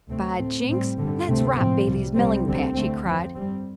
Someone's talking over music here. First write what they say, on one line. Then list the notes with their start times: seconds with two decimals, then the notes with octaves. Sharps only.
"By jinks, let's rob Brayley's melling-patch!" he cried.
0.08 D2 C3 A3 C4
0.37 A2 A3 C4
0.66 A2 G3 C4
0.96 G2 D3 G3
1.27 D2 C3 A3 C4
1.56 A2 F3 C4
1.85 C2 C3 G3
2.14 C2 C3 G3 C4
2.45 D2 D3 G3 C4
2.74 D2 D3 A3 C4
3.03 F2 F3 C4
3.34 G2 G3 C4